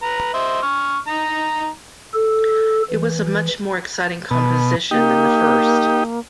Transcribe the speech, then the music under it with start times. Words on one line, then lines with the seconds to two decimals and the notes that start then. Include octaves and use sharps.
It was a much more exciting composition than the first.
0.03 B4 A#5
0.34 C5 D#5 E5
0.63 C#6 F6
1.08 D#4 A#5
2.14 A4
2.91 E3
4.31 B2
4.91 A#3 D#4 G4